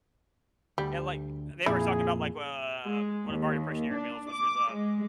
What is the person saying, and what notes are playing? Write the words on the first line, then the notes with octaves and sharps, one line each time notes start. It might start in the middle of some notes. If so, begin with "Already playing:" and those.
Yeah, like, they were talking about. like, uh, one of our depression era meals, which was a
D2 G3
F2 A#2 E4 G#4
G#3
D#2
D4
D6
G#3